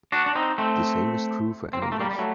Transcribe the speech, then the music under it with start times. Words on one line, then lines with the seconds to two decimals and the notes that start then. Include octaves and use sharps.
The same is true for animals.
0.12 D4 F#4
0.26 D4
0.35 C4 D#4
0.58 A3 C4
1.73 C4
1.82 A#3
1.92 A3
2.00 G3 A#3
2.11 G3
2.19 F#3 A3